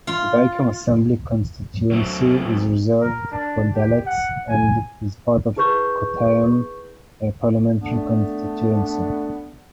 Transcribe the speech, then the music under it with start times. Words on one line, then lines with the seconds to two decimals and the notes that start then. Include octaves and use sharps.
Vaikom assembly constituency is reserved for Dalits and is part of Kottayam parliamentary constituency.
0.07 F4
1.92 F#3 C4
3.02 A#4
3.32 D4
3.75 G4
4.06 F#5
4.48 G#5
5.56 E4 G#4 B4 C#6 G6
7.81 A3 B3 D4